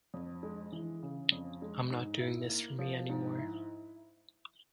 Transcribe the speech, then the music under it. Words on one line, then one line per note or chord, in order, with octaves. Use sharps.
I'm not doing this for me anymore.
F2
G#3
E3
C#3
F2
G#3
G#2
E4
A#3
F3
G#2
E4